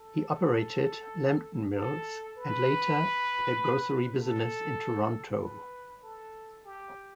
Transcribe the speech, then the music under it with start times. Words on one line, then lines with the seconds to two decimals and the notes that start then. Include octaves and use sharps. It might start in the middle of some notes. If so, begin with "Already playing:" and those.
He operated Lambton Mills and later a grocery business in Toronto.
Already playing: A4
1.76 A4
2.37 B4
4.20 A4
5.43 B4
6.03 A4
6.65 G4